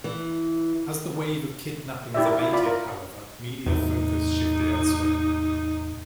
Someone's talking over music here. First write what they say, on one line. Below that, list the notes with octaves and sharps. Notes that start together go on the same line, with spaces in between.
As the wave of kidnappings abated, however, media focus shifted elsewhere.
E3
E4 G4 D5 E5
A#4
E4
F4 D5 B5
A#4
E2 A2 C3 D#4